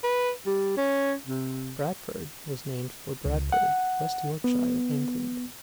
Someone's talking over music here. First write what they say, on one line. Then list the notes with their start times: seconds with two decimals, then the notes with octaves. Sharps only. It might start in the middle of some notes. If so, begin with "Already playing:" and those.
Bradford was named for Bradford, West Yorkshire, England.
0.03 B4
0.46 G3
0.77 C#4
1.27 C3
3.25 C#2
3.52 F#5
4.44 B3